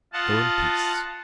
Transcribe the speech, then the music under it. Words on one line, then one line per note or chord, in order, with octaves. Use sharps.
Go in peace!
F4 D#5 F5 F#5 A5